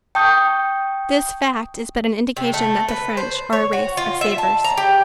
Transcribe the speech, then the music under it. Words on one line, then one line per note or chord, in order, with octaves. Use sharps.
This fact is but an indication that the French are a race of savers.
G5 A5 C#6 D#6 G6
C3
A3
B4
C5
C#5
F#4
F4
E5
A5
A#5
G4